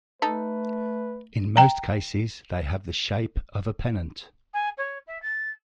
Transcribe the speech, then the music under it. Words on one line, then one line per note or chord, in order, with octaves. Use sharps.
In most cases, they have the shape of a pennant.
A3 D#4 A4 B4
G5 A#5
G#5
C#5
E5
A6